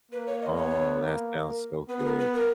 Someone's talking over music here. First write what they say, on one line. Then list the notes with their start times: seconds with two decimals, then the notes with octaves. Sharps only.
Oh, that sounds so good.
0.12 A#3 B4
0.27 C#5
0.42 D#5
0.56 B3 C#5
1.01 A#3
1.45 A#4
1.89 B3 B4
1.99 G#4
2.05 A#4
2.19 B4
2.34 A#4